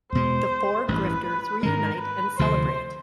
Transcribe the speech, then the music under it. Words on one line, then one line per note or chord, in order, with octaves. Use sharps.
The four grifters reunite and celebrate.
E2 B2 G#3 C5
A1 G2 E3 B4
G#2 D#3 G#3 A#4
B4
D2 C3 F3 C5